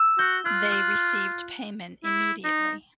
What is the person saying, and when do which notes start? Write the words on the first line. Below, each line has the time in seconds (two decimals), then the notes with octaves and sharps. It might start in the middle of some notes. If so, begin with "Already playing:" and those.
They received payment immediately.
Already playing: E6
0.19 F#4 G6
0.45 F4 F#6
0.72 F#6
2.05 E4
2.44 D#4